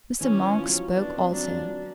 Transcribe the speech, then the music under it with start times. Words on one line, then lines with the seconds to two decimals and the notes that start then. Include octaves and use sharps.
Mr. Monk spoke also.
0.21 E3 C#4
0.40 E3
0.58 F3
0.68 F#3
0.76 F3
0.95 B3 D4
1.14 C4
1.31 F#3 D4
1.51 F3
1.69 F#3